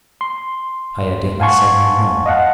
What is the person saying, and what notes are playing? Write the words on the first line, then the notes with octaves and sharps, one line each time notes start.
Iadilla said no more.
C6
F5 F#5 G#5 A5 C6 C#6
D#5 F5 F#5 A5